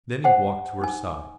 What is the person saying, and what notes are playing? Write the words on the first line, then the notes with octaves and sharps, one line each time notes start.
Then he walked to her side.
C5 F#5 G#5
D#4 G#5